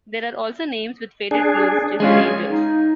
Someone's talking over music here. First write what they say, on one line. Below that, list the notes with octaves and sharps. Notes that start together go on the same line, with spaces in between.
There are also names with faded glory such as the Rangers.
D4 G#4
G#3 C#4 F4 G#5
D#4